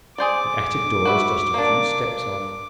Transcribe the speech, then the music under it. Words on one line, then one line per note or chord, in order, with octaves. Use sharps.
The attic door is just a few steps off.
G#4 C5 D5 D6
F#4 B4 E5
A#3 D4